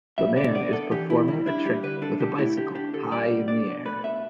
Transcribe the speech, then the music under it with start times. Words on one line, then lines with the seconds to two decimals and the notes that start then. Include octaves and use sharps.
The man is performing a trick with a bicycle high in the air.
0.18 G3 E5
0.36 D3 D5
0.55 B3 D5
0.73 D3 A4
0.91 E3 G4
1.09 A2 E4
1.28 G3 E4
1.46 D4 E4
1.65 G3 G4
1.83 D3 B4
2.02 D4 A4
2.20 D3 G4
2.38 A3 E4
2.57 D3 G4
2.75 D4 G4
2.94 D3 A4
3.11 G3 D5
3.30 B2
3.48 D4 D5
3.67 B2
3.85 A3 B4
4.04 B2 E5